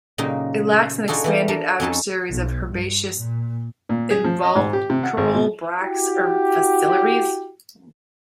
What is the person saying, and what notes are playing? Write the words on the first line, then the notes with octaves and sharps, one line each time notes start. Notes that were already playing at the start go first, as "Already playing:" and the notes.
It lacks an expanded outer series of herbaceous involucral bracts or phyllaries.
A#2 C#3 F#3 A#3 D#4 G4
D4 D#4 F4 F#4 G#4 A4
E3 B3 G4
D4 A#4
F2 C4 C#4 D#4 A4 A5
B1
G2
A#2
A#2
G#4
F3
D#5
G#2
G4
C3
F#5
G#1
B2
E4 F#4 G4